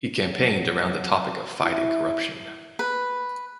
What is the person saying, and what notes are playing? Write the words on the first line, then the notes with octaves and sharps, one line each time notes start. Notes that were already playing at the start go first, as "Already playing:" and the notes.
He campaigned around the topic of fighting corruption.
F#3
E4
B4